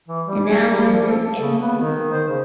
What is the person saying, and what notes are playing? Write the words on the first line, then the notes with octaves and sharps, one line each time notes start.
And now you're in the field.
E3
G3
G#4
G3
F3
A4
C#3
B3
D#3
C5
C#3